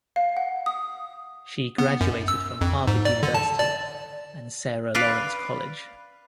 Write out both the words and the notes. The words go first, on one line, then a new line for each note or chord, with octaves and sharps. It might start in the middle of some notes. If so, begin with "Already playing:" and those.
She graduated from Harvard University and Sarah Lawrence College.
F5
F#5
D#6
B3
F#2
E6
F2
G#2
D5
D3
A5
D5
B4 D5 F5